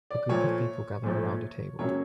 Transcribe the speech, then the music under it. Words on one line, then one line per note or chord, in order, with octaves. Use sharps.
A group of people gather around a table.
D5
A#2 F3 A3 C#5
A#2 F3 A3
F#2 C#3 F#3 A#3 C#5